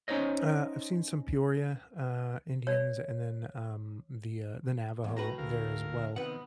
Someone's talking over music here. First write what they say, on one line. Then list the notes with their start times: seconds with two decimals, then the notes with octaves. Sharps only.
Uh, I've seen some Peoria, uh, Indians, and then, um, the, uh, the Navajo there as well.
0.08 C#4 D#4 C5 C#5 D#5
2.67 C#5 D5
5.04 E2
5.17 A2 F#4 B4 A#5
5.38 D2 A#4 F5
6.16 C3 D#3 B3 B4 F#5